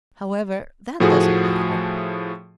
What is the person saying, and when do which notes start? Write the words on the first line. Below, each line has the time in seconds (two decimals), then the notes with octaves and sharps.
However, that doesn't matter.
1.00 A2 F3 A3 F#4 G#4